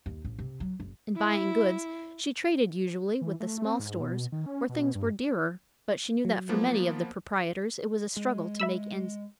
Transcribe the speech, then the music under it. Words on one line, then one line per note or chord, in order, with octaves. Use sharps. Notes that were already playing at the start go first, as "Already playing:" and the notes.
In buying goods she traded usually with the small stores, where things were dearer, but she knew that for many of the proprietors it was a struggle to make ends meet.
D#2
A1
C3
F#3
F#1
E4
E3
A3
C4
G#2
B2
D#3
C#4
B2
G2
F#3
F3 A#3 B3
G#3
E5 B5 E6